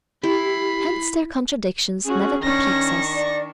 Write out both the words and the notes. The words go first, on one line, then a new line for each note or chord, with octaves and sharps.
Hence their contradictions never perplex us.
E4 G4 B5 C7
C#4 F#4 G#4
D#3 C#4 D4 C#6 A#6
D5